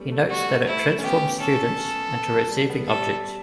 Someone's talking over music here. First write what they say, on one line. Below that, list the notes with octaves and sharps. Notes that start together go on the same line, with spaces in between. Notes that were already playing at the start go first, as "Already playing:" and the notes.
He notes that it transforms students into receiving objects.
Already playing: G3 A3 B3 C#4
A3
G3 F#4
A3
A3 E4
C#4
B3 G4
C#4 A4
C#4
B3
F#3
G3
B3
G3 A4